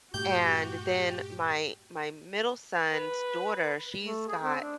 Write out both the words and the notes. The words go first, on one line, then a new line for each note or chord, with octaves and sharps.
And then my my middle son's daughter, she's got
G2 A#2 A3 F#4 G4 G6
B4
A3
G#4
C4
D4